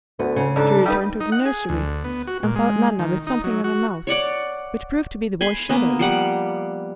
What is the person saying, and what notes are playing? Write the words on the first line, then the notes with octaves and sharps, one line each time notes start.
She returned to the nursery, and found Nana with something in her mouth, which proved to be the boy's shadow.
D2 B3
C#3
G#2 D4 A4
G3 D#4 B4
D#4
F#5
G#4
D2
B3
F#4
A#2
G#3
D#3
D#4
F#3
F#4
C#5 D5 F#5 D6
G#5 B5 C6
A#3 B3
F3 G3 F#5 D6